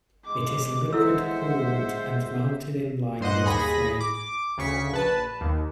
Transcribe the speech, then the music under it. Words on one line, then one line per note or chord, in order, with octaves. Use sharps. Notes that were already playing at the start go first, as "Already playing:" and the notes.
It is liquid-cooled and mounted inline with the frame.
G#3 D6
E4 A4 C5 E5 F#5 E6
G2 C5 D#5 F#5
D#2 G#4 B5 A#6
D6
D2 C#3 C#6 B6
A#1 B4 A5
D#2